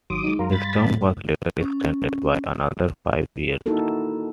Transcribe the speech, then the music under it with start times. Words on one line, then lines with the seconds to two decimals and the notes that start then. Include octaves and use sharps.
His term was later extended by another five years.
0.10 G#1 D#3 F#3 C6 D6 D#6
0.24 G#3 D#4
0.39 F#2 F#3 A#4 F5 C6
0.52 G2 B5 A6
0.82 A2 A3
1.61 C#4
3.66 A#3 D#4 E4 F#4 A4 A#4